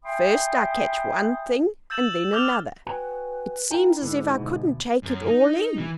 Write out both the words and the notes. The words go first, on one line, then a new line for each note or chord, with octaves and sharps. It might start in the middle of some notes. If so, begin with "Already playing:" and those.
First I catch one thing and then another; it seems as if I couldn't take it all in.
E5 G5 G#5 B5 C6 D#6
E6 G6 A6 E7 F#7
D6 F6 G6 F7 G7
F#4 B4 G5 G#5
E4 F4 A#4 G5
G#2 D3
D2 B2
F#2
D#4
E3